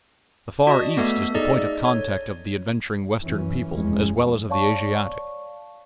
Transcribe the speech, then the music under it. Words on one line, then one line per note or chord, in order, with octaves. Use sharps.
The Far East is the point of contact of the adventuring Western people as well as of the Asiatic.
F#4 D5 D#5 A5 D#6
A3 B3 A4 E5
D#4 G#4 A4 D5 D#5
C#5
F#2 E3 C#4
F1 E2 G#3 C#4
C#5 D5 F5 A5 C#6